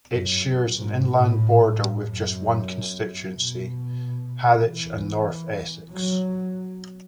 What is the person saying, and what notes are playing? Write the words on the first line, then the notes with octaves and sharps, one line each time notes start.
It shares an inland border with just one constituency - Harwich and North Essex.
F#2
G#2
A2
F#2
B2
E3
F#3